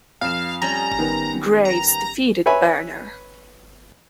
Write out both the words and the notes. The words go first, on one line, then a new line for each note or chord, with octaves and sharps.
Graves defeated Burner.
F2 F5 E7
G3 C#4 A#5
D#3 B3
A#5
B4 C#5 E5 G#5 B5